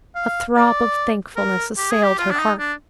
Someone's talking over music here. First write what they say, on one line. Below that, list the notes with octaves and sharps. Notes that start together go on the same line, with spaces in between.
A throb of thankfulness assailed her heart.
F5
D5
A#4
G4
G#4
G4
F4
D4
D#4
D4